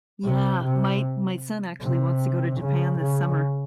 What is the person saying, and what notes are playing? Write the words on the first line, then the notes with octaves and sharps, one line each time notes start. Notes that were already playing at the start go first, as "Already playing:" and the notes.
Yeah. My my son actually wants to go to Japan this summer
C3
C3
C3
C#3
C#3